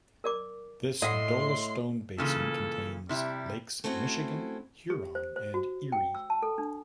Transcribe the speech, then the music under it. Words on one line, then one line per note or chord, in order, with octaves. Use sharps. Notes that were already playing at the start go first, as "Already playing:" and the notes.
This dolostone basin contains Lakes Michigan, Huron, and Erie.
A#4 D5 D6
A2 D5 D#5 F#5 C6
A#2 C#3 E3 A4
C3 G3 E4
A3 C4 C#4 E4 F#4
G4
C5
C5
F#4
G5
E6
A5
A4
D4